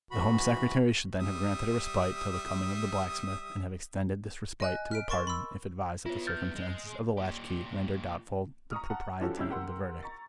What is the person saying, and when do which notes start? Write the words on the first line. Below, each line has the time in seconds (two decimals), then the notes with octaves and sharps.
The Home Secretary should then have granted a respite till the coming of the blacksmith, and have extended this respite to a pardon, if advised that the circumstances of the latch-key rendered doubtful the propriety of the verdict.
0.11 D2 E3 F#4 B5
1.19 G3 E5 D#6
4.61 D#5 G#5 F#6
4.91 F6 B6 D7
5.09 A#4 C6 C#6 A6 E7
5.27 B5 E6
6.06 B3 E4 F4 C#5
6.27 F6 G6 A6
6.55 G#3
7.17 A#2 G4
8.71 A#5 C#6 D#6 F6
8.90 F#5 A5 A#5
9.20 E3 F3 C#4 F#4 G4 A4
9.37 C#2 C3 C#4 E4 E6 G6
9.50 G4 A#4 F#5 C6
10.03 A#5 C#6 A6